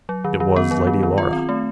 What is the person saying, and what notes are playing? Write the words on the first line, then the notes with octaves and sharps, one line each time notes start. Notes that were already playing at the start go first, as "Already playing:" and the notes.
"It was Lady Laura."
F#3
D#3
D#3
B3
F#3
D#3
D#3
F4
C4
A3